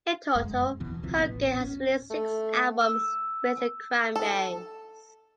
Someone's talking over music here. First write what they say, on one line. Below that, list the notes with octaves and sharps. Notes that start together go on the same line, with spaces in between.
In total, Hogan has released six albums with The Cranberries.
F1 F#2 G#3
E2 B2 E3
B1 C3 E3 F3
D#1 A1 B3
C#4
A3
E6
A4